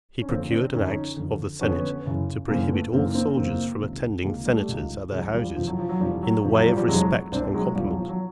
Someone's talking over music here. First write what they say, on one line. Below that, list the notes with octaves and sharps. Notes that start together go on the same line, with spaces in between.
He procured an act of the senate to prohibit all soldiers from attending senators at their houses, in the way of respect and compliment.
C#4
F2 D3 A#3 C4
C4 D4
F2 D3 C#4 D#4
F2 D3
F2 D3 B3 C#4
F#2 C#3 E3
F#2 C#3 E3 A#3 C4
A3 B3
F#2 C#3 E3 A#3 C4
A#3 C4
F#2 C#3 E3 A#3 C4
C#2 C3 D#3
C#2 C3 D#3 G#3 A#3
G3 A3
C#2 C3 D#3
C#2 C3 D#3 F#3 G#3
F3 G3
F2 C3 E3 F3
F#3
F3
F#3
F2 C3 E3 F3 G3
F#3
F2 C3 E3 F3
F#3
F3 G3
F3 G3
F2 C3 E3 F#3 G#3
C2 B2 C4 D4
F#3 G#3
C2 B2 F3 G3
F#3
F3
F#3